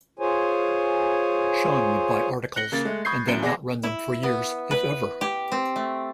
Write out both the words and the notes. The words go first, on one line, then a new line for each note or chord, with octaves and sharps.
Shawn would buy articles and then not run them for years, if ever.
F4 G#4 C5 C#5 G#5
F#6 A#6 C#7 F#7 G7
C#3 A#3 A6
G#3 A3
B5 C#6 D#6 G6 G#6 C7
G1 F#2 E3 C#7 D7 G7
G#1 G#4 D5 F#5 D6 A#6
E4
B3
B4
G4
C4
A3